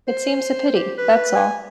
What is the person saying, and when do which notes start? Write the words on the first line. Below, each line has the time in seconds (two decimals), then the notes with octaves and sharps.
It seems a pity, that's all.'
0.07 C5
0.75 G4
0.98 B4
1.35 G#5